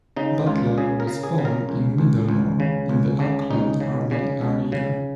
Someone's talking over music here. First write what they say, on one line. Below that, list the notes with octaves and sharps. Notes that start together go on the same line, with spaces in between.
Butler was born in Middlemore in the Auckland urban area.
C#3 D#4
C#2 F4
C#3 G#4
A#4
C#3
G#4
C#3
A#4
C#2
C#2
C#2
C#3
C#2
C#3
C#2 D#4
C#3
C#3
C#2
C#3